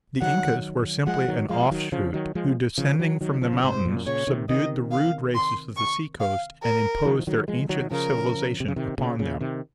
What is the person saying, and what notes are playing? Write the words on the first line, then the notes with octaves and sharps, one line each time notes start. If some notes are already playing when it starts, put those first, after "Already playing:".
The Incas were simply an offshoot, who, descending from the mountains, subdued the rude races of the sea-coast, and imposed their ancient civilization upon them.
D#3 F#3 F#5
F3 G#3 F#5
D#3 F#3
F3 G#3 F5
D#3 F#3
C#3 F3
D#3 F#3
F3 G#3
C#3 F3
D#3 F#3
D#3 F#3
C#3 F3
C#3
G#2 C3 C5
F#2 A#2
A#2 C#3 C#5
C3 D#3
C3 D#3 D#5
F5
C6
C#6
F5
A#4
D#3 F#3
F3
D#3 F#3
F3 G#3
D#3 F#3
D#3
C#3 F3 A#4
C3
C#3
C3 D#3
A#2 C#3
A#2 C#3
C3 D#3